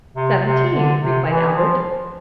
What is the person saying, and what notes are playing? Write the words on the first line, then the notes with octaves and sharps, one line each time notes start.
"Seventeen!" replied Albert.
C3
C3
D3
C3
E3
F3